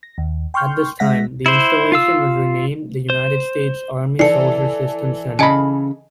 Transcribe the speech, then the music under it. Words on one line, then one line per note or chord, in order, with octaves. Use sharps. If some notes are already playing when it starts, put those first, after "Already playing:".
At this time the installation was renamed the United States Army Soldier Systems Center.
A#6
D#2
G5 C6 C#6 F6 G6
G#3 E5 F#5 A#6 B6
E4 C5
F4 F5 E6
C5
E3 A4 D5 C7 C#7
C#3 D#5 G#5 A5 B5